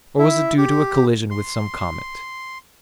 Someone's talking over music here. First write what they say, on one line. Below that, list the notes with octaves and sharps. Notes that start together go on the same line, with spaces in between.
Or was it due to a collision with some comet?
E4
G4
C6